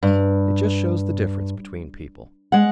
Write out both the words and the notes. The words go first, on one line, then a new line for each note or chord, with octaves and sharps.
It just shows the difference between people.
G2
G#3 F#5